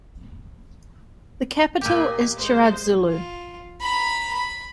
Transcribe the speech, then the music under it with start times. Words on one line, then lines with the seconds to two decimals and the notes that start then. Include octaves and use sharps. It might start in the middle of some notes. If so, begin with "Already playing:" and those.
The capital is Chiradzulu.
1.81 A#2 A#3 G4 D#5 G#5
2.35 G#3 C5
3.07 F4
3.81 A#5 B5
4.33 B5